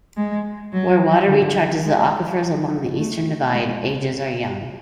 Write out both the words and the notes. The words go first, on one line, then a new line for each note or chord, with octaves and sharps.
Where water recharges the aquifers along the Eastern Divide, ages are young.
G#3
F#3
D3
G#3
F#3
A3
G#3